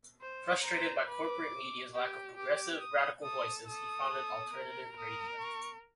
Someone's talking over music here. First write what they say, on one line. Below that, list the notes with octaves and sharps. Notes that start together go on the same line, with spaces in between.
Frustrated by corporate media's lack of progressive, radical voices, he founded Alternative Radio.
C5
C5 A#5
B4 D6
G4
G4 D6
D#6
A4 D#6
A4 D#6
A4
A#4
A#4 D#6
C#6